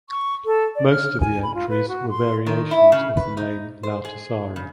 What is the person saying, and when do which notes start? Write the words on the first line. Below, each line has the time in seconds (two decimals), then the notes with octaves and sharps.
Most of the entries were variations of the name Lauttasaari.
0.10 C#6
0.46 A4
0.76 D5
0.90 F6
1.21 G#5
1.43 B5
1.55 F4
1.69 B4
1.89 F#4
2.09 C6
2.46 D#3
2.71 E4
2.92 C#3
3.17 B4
3.37 D#4
3.83 C5
4.05 G#4
4.56 C#3